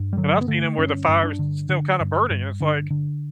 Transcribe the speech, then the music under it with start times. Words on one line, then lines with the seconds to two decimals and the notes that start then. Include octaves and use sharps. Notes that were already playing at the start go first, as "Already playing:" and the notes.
and I've seen 'em where the fire is s still kinda burning, and it's, like
Already playing: G2
0.13 G3
0.17 D3 F#3
0.41 B3
0.48 D3 A3
0.78 G2 C#4
1.08 G2
1.23 D4
1.39 D3
1.69 D3
2.00 G2
2.30 G2
2.60 D3
2.90 D3